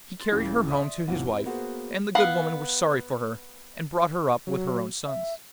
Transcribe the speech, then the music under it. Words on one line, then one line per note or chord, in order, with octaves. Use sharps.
He carried her home to his wife, and the good woman was sorry for her, and brought her up with her own sons.
C6 A6
C#2 A2 C#3 E3 A#6
D5 E5 C6 D#6
B1 E2 A2 F3 F5 F#5
C4 E4
A#3 B3 F#4 G#4 C5
B3 F5 F#5
F#3
E5